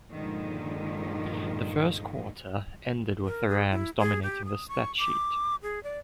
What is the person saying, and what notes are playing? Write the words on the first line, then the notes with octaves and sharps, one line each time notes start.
The first quarter ended with the Rams dominating the stat sheet.
G2 A#2 D3 D#3 F3 G#3
A#4
G#4
E4
G#4
G4
D#6
C#6
D6
G#4
D5